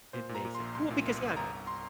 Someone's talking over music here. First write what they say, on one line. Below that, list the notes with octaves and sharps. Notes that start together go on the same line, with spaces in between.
it makes it well, because, yeah it
A#2 C5
A#2
A#5
A#2
C6
A#1
C2 C6
A#2
C2
C2
G1 A#5
G1
C6